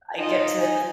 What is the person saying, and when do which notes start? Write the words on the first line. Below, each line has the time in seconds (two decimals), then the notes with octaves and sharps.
I get to
0.19 D#4 F4 D#5
0.58 G#5